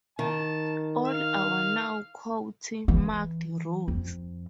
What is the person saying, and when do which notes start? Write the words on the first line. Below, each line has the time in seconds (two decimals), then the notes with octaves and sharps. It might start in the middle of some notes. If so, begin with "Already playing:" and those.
All are now county marked routes.
0.19 D#3 A5
1.06 F5
2.88 E3
3.88 F2